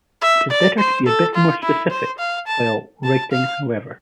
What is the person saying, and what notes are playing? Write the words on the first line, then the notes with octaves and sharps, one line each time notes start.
It is better to be a bit more specific while writing however.
E5
D5
C5
A4
F4
E4
C5
F5
A5
A5
F5